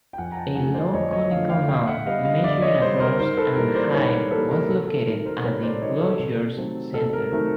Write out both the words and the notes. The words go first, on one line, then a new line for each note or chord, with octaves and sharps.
A low conical mound measuring across and high was located at the enclosures center.
G5
F2 F#5 G#5
A#5
G5 A5
D3 F3 A3 F#5 G#5
C5 D5
F2 C#5 D#5
C#5 D#5
D3 F3 A3 D#5 F5
F5 G5
D3 F5 G5
E5 F#5
G3 B3 D#5 F5
D#5 F5
D3 D5 E5
D5
C#5 D#5
G3 B3 C5 D5
A#4 C5
G#2 A#4 C5
A4 B4
E3 G3 A#3 A#4
C5 D5
G#2 B4 C#5
A#4 C5
E3 G3 A#3 A4 B4
A#4
C3 A4
A4
D#3 F#3 A#4
A#4 C5
C3 B4 C#5
C5 D5
D#3 F#3 C#5 D#5
A4
C3
D#3 F#3 A3 C4
C3 A4
A#4
D#3 F#3 A3 C4 A#4